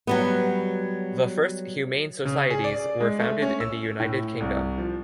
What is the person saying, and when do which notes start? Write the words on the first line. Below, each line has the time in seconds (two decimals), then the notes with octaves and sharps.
The first humane societies were founded in the United Kingdom.
0.07 F#3 G3 B3
2.25 C#3
2.51 G#4
2.64 D5
3.00 G#3
3.20 A3
3.42 C#4
3.60 E6
4.00 A2
4.41 C2
4.78 F3